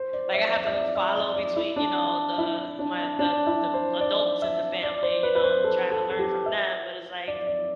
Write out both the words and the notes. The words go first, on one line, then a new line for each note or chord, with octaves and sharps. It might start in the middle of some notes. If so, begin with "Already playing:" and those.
Like, I had to follow between, you know, the my the the adults in the family, you know, trying to learn from them, but it's like
Already playing: C5
D5
E5
D5
E5
D5
E5
D5
D5
E4
D4
E4
D4
D4
E4
C5
D5
E5
D5
C5
B4
B4
C5
A4
A4
A4
G4
E5
D5
D5